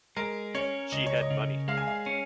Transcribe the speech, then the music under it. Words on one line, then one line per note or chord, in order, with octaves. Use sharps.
She had money.
G#3 A#4
C#4 C#5
C#2 D#5
C#5
D#5
C#3
G#3 F5
G#5
F5
C#4